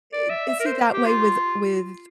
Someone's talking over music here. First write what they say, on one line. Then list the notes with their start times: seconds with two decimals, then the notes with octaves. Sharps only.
i is he that way with with
0.13 D5
0.30 E5
0.48 E5
0.60 A#4
0.66 C5
0.93 G4
1.06 F4